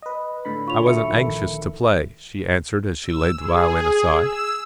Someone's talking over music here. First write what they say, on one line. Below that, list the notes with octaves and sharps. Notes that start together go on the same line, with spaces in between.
"I wasn't anxious to play," she answered as she laid the violin aside.
B4 D#5
A2 D3 B5
F4 C#5 C#6 F7
F#4 A4 E5 C#7
A#1 D#3 A4
E6
G#4
E6